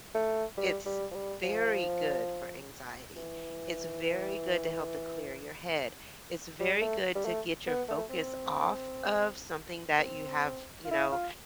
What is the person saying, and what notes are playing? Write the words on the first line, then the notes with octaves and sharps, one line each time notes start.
it's very good for anxiety. It's very good to help to clear your head. It's very good to get your focus off of something that you have, you know,
A3
G3
G3
F3
G3
F3
E3
G3
A3
G3
A3
B3
A3
C4
B3
C4
F4
E4
F4